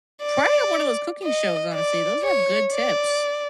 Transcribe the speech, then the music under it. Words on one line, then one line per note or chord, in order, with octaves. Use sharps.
Probably one of those cooking shows, honestly, those have good tips.
D5
D#5
D5
C#5
D5